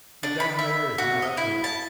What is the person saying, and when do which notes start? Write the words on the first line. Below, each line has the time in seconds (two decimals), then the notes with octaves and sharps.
But down there is not up here.
0.23 D4
0.40 B5
0.59 E5
0.98 F#4
1.22 D#5
1.37 E4
1.64 A5